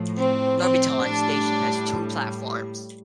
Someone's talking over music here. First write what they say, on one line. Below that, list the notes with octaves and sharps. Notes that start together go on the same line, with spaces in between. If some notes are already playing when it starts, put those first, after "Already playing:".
Norbiton station has two platforms.
Already playing: A2 F3 A3
C4
C4
A2 G3 D4